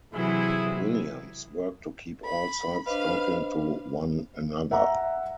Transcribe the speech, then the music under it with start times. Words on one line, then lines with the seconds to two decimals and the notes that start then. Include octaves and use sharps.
Williams worked to keep all sides talking to one another.
0.14 C3 E3 F#3 E4 G#4
2.24 B5
2.87 D4 B4 C5 D#5 F5
4.71 E5 F#5 A#5